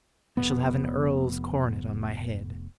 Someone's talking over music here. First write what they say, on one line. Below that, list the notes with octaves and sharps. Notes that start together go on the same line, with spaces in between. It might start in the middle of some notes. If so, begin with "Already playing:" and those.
I shall have an earl's coronet on my head.
F1 B3